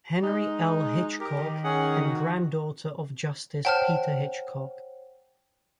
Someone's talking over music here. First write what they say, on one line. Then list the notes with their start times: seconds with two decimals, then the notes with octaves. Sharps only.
Henry L. Hitchcock and granddaughter of Justice Peter Hitchcock.
0.23 G#3 D#4
1.20 G4 A#4
1.38 D#3
1.64 C#4 G#4 F#5
2.04 F#4
3.65 C5 C#5 F#5 G5 A5 F6